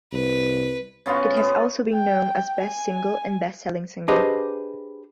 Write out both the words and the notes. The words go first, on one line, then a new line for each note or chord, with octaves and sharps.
It has also been known as Best Single and Best Selling Single.
C2 B4
C#3 B3 F4 F#4
B3
G5
G#5
D4 G4 G#4 B4 C5 D#5